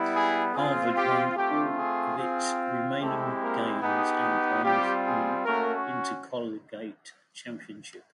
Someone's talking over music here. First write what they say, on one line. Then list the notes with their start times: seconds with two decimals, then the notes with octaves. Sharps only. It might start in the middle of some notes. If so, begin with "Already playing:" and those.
Harvard won all of its remaining games and claimed the intercollegiate championship.
Already playing: G3 B3 E4
0.13 G#4
0.53 C4 F4 G#4
0.95 G4
1.36 A3 C4 F4 G4
1.77 G#4
2.18 C4 F4
3.00 G#3 A3 C4 E4 G4 A4
3.41 A#3 A#4
3.81 B3 D#4 G4 G#4
4.64 G3 C4 F4 G4
5.05 G#4
5.45 A3 A#3 C#4 F#4 A#4